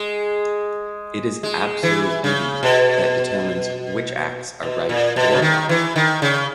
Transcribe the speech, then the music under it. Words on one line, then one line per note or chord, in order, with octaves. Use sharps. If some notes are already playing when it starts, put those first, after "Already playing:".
It is "absolute duty" that determines which acts are right or wrong.
Already playing: G#3
G#3
E3
C#3
B2
B2
A#2
B2
C#3
D#3
E3
D#3
C#3